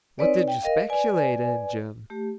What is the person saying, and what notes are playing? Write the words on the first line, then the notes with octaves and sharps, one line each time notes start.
"What did you speculate in, Jim?"
C4 D#4 B4 C#5 D5 G#5
G5
A#4 D#5 F5
B4 D5 G#5
A3 G4